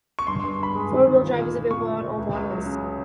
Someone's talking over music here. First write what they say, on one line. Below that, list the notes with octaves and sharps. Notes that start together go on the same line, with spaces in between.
Four-wheel drive is available on all models.
C#6
G2 C6
G2 C6
G2 B5
G#3
D#3
D#3
A#2
A#2
A#2
A#2 C#6
A3
A3
C#2
C#2
F#3
C#3